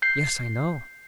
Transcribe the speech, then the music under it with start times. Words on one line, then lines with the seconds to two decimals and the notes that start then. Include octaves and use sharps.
"Yes, I know."
0.02 G6 C7